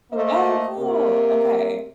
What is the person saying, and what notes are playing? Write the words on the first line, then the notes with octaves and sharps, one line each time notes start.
Oh, cool. Okay.
A3 A#3 A4 C5 D#5
C3 A#3 A#4